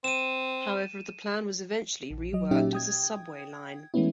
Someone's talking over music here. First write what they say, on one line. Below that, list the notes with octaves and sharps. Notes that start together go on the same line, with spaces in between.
However, the plan was eventually reworked as a subway line.
C4 D#7 E7
A#1
F#3 D#5
A#2 F#3 C#4 D#4 G4 E5
G5 D#6 G#6
E3 G#3 A3 B3 C#4 E4